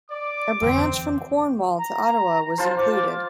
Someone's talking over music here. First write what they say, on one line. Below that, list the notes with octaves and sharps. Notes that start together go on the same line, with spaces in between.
A branch from Cornwall to Ottawa was included.
D5 D6
F2 D3 E3 C4
A#5
F4 C5 A5
D6